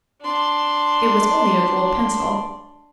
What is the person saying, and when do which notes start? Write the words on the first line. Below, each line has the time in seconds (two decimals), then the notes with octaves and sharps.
It was only a gold pencil.
0.22 D4 C6